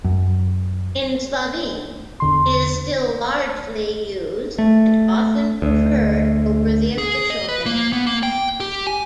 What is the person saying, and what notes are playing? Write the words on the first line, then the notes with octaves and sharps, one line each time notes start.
In Slovene it is still largely used and often preferred over the official name.
F#2
E2 D3 C6
A3
D2
G#4
D#5
B4
A#3
B3
A#3
G5
G4
G#5